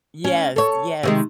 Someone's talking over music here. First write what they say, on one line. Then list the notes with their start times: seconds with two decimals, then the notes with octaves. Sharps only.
Yes. Yes.
0.24 C#4
0.56 A4 C#5
1.03 C3 D#3 G#3